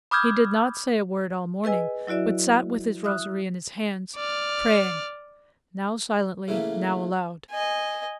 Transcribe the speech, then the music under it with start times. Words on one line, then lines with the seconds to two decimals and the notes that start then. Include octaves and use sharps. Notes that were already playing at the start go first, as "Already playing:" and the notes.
He did not say a word all morning, but sat with his rosary in his hands, praying, now silently, now aloud.
0.11 B5 D6 D#6 F6 G6 G#6
1.64 G#4 B4 D#5 G#5 E6
2.07 F#3 E4 F#4 D5 E5
3.04 E5 D#6 F6 F#6
4.16 D5 F6
6.48 C#3 E3 A3 A#3
7.50 D#5 G#5